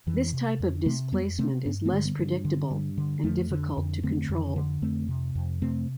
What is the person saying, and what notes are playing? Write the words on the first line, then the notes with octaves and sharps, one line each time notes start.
This type of displacement is less predictable and difficult to control.
F2 E3
C3
F2
C3 A3 C4
F2 G3 B3
C3 A3 C4
G2 B3 D4
A3 C4
D3
G3 B3
G2
D3
G2
D3
F2 F3 A3
D3
F2
D3 A3 C4
F2
D3
F2 A3 C4
C3
F2
C3 A3 C4